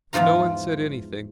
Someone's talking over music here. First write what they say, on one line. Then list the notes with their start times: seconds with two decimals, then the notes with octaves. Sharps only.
But no one said anything.
0.13 E2 G#2 F3 F4 A#5